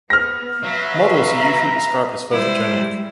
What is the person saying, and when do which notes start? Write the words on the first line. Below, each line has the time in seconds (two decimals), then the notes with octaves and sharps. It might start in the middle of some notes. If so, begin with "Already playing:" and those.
Models are usually described as photogenic.
0.10 B3 F6 A#6
0.63 F#3 B4 E5 F5
1.37 A#5
2.31 G3 G#3 E4 C5